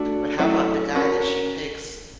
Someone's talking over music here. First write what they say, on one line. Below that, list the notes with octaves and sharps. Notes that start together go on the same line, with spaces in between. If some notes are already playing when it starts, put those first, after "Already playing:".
But how about the guy that she picks
Already playing: A3 D4 F#4
F#3 A3 C#4 E4
C#4 F#4 A#4